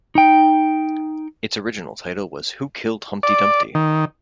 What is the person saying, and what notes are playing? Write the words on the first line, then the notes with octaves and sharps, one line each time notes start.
Its original title was Who Killed Humpty Dumpty?
D#4 G5
D5
D#3